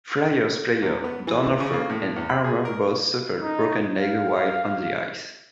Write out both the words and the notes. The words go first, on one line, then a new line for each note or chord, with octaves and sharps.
Flyers players Dornhoefer and Harmer both suffered broken legs while on the ice.
E2
B3
E3
E3
C#3
A#3
A2
E2
B5
G#4
A#4
D#4
F5